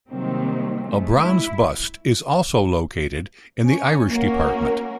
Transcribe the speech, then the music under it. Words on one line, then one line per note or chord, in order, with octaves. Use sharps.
A bronze bust is also located in the Irish department.
C3 D#3 F#3 G3 A#3 C4
G#3 A3
E4
C#4
A#3 C#4 F#4 A#4